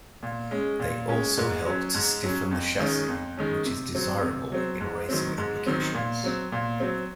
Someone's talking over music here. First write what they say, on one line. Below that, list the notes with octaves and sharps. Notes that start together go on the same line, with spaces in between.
They also help to stiffen the chassis, which is desirable in racing applications.
A#2
G#3 C#4
A#2
G#3 C#4
G#2
F#3 C#4
G#2
F#3 C#4
F2
D#3 G#3 C#4
F2
D#3 G#3 C#4
C3
F#3 C4
C3
F#3 C4
G#2
D#3 F#3 C4
G#2
D#3 F#3 C4
A#2
F#3 C4
A#2
F#3 C4